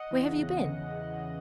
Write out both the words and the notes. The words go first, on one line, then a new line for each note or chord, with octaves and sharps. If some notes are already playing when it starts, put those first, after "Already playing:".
Where have you been?'
Already playing: D#5 F#5
E2 C#3 E3